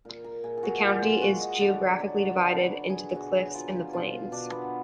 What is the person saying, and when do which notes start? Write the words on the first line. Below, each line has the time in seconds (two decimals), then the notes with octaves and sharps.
The county is geographically divided into the cliffs and the plains.
0.05 A#2 A#4
0.24 A#4
0.44 A#2 G#4
0.57 G#4
0.63 F#4
0.82 A#2 F4
1.02 F4
1.21 G#3 F#4
1.41 D#5
1.60 D3 D5
1.99 F#3
2.38 D3 B4
2.77 D3
2.90 G#4
3.15 B2 F#4
3.54 F#3 F4
3.93 B2 F4
4.32 B2 D4
4.52 B3